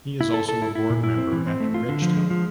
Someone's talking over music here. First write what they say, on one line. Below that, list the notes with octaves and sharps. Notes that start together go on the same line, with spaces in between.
He is also a board member at Regtel.
E4
A4
A4
E4
E4
A#2
E4
C4
E3
C4
A3
F4
D3
F3
G#3
F3